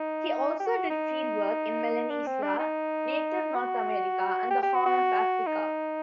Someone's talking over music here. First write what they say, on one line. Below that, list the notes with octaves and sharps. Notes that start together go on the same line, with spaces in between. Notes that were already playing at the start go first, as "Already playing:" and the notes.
He also did fieldwork in Melanesia, Native North America and the Horn of Africa.
Already playing: D#4
G4
F#4
D#4
D4
C4
D4
D#4
F#4
G4
G4
F#4
F#4
D#4